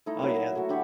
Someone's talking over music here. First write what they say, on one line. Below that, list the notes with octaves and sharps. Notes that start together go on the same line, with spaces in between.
Oh, yeah.
A3 D#4 E4
F#3 A#3
A#4 E5
A3 F#4
D3 G4 B5 C#6